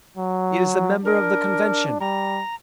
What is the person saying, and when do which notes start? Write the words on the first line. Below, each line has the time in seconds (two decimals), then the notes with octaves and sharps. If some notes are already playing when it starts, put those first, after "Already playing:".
It is the member of the Convention!
0.17 F#3
1.05 D4 A#4
2.00 G3 A#5